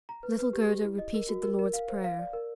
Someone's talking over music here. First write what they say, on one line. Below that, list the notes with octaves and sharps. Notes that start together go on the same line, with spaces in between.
Little Gerda repeated the Lord's Prayer.
A#5
B4
B4
G4
G4
E4
D#5
A#4
F#4
A#4
A#4
F5
C5
F5
D5
A#4